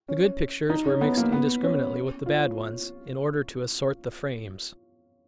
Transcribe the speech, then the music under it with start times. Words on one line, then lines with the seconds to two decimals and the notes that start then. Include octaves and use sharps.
The good pictures were mixed indiscriminately with the bad ones, in order to assort the frames.
0.08 C#4
0.70 D#4
0.86 C#4
1.01 B3
1.17 A#3
1.32 B3
1.63 C#4
2.26 F4